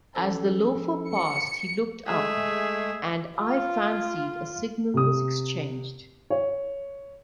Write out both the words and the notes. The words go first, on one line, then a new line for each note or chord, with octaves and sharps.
As the loafer passed he looked up, and I fancied a signal was exchanged.
F3 C#4 A4
C#7
G#3 A3 G#4 E5
F4
C3 D#6
C#5